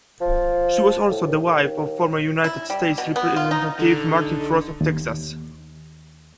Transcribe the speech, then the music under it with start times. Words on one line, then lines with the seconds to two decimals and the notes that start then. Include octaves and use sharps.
She was also the wife of former United States Representative Martin Frost of Texas.
0.21 F3
1.10 A2
1.28 D#2
2.44 E4
2.70 G3
2.98 B2
3.16 B3
3.36 F4
3.51 D#4
3.79 D#1 D3 D#4 A4
4.26 B1
4.81 D#2